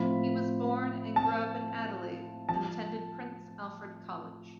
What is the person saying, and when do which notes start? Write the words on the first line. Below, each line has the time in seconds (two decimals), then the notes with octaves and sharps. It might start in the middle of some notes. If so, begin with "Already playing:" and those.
He was born and grew up in Adelaide, and attended Prince Alfred College.
Already playing: A2 F3 C4 F4 B5
1.16 A5
2.49 F3 A5